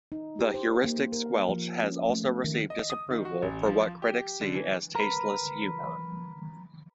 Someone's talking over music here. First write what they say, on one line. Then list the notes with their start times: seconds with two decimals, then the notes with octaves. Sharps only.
The "Heuristic Squelch" has also received disapproval for what critics see as tasteless humor.
0.12 D#4
0.39 G4
0.54 C5
0.84 A#3
1.12 A#4
1.49 F3
1.83 C#4
2.10 A3
2.44 D#3
2.70 D#5
2.90 D#6
3.10 D#3
3.25 F#4
3.42 A1
3.66 F3
4.02 G4
4.41 D3
4.55 E3
4.95 A#4 B4